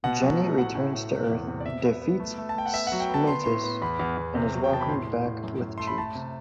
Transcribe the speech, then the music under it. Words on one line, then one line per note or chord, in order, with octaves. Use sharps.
Jenny returns to Earth, defeats Smytus, and is welcomed back with cheers.
B2 F#5
F#3
A3
A2 F#5
A2
A2
C3
E2
C3
D5
C3 E5
B3
B3
A3
A3
A5
A3 G5
F#5
B3 E5
F#5
F#3
G5
B3
A5
B3 C6
A2 C6
B3
E2 B5
E2
E2
C3
F#3
G5
B3 A5
B5
A2 C6
A2
A2
F#2
F#2
A3 C6
B5
A3 A5
C3